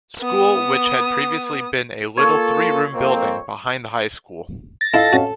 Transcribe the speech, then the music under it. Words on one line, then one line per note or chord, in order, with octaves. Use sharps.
School which had previously been a little three-room building behind the high school.
B3 D#6
A#3 F4 A4 C#5
F2 A#3 C4
A6 A#6
E4 F4 A4 D#5 F5
C#4 F#4